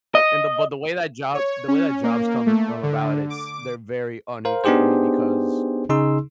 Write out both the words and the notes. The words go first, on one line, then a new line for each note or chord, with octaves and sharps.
and the but the way that job the way that jobs come come about, it's they're very unequal to me because
D#5
C#5
C#4
A#3
A3
D3
D6
A#4 C5 F5
B3 D4 D#4 G4 G#4 C5
C#3 D#4 G#4 C6 E6